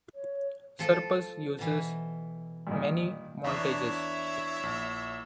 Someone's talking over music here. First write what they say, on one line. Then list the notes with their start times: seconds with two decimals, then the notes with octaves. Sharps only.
Surplus uses many montages.
0.15 C#5
0.79 F3 A4
1.59 B2 E3
2.67 G2 A#2 D#3
3.44 E2 D4 E4 C#5 E5
4.63 A#1